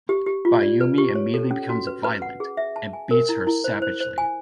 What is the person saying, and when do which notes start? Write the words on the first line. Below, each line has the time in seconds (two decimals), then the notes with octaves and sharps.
Bayoumi immediately becomes violent and beats her saveagely.
0.09 G4
0.26 G4
0.45 F4
0.63 D5
0.81 B4
0.98 G4
1.15 C#5
1.34 A4
1.51 C#4
1.69 F#4
1.87 B4
2.04 B4
2.22 F#5
2.40 G#4
2.57 E5
2.76 A5
2.93 G#5
3.11 A#4
3.29 E4
3.47 E4
3.64 C5
3.82 C5
4.00 C5
4.18 G#5